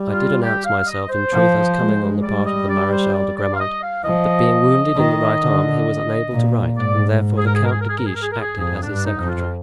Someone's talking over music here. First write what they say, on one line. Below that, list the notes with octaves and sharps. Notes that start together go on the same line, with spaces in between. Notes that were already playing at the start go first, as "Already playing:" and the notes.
"I did announce myself, in truth, as coming on the part of the Marechal de Grammont; but being wounded in the right arm he was unable to write and therefore the Count de Guiche acted as his secretary."
Already playing: G3
F4
G4
F5
D#5
C5
F3
G#3
G3 D5
D#5
D5
C5
D5
D5
F5
D#5
F5
F3 D#5
D#3
D3
A#2
G#2 D5
G#4
A#4
G#4
A#4
G#4
A#4
G#4
A#4
G#4
A#4
G#4
A#4
G#4
F2 G#4
D4
G2
D#4
F2
F4